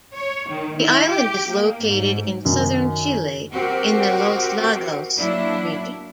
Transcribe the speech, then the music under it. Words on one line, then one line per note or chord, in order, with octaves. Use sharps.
The island is located in southern Chile, in the Los Lagos Region.
C#5
D#3
E4
G4
A#3
G#2
F#2 D#3
C4 F#4 G4 A#4
F#3 A#3 D4 E4